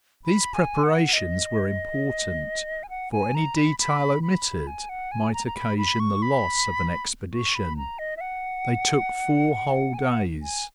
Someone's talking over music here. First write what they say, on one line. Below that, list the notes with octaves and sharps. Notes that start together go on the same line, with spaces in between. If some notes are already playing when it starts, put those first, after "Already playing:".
These preparations were important, for any detail omitted might occasion the loss of an expedition; they took four whole days.
B5
G#5
F#5
D#5
G#5
F#5
G#5
A#5
B5
B5
B5
G#5
F#5
G#5
A#5
A#5
B5
B5
C#6
B5
C#6
B5
A#5
D#5
E5
F#5
G#5
F#5
G#5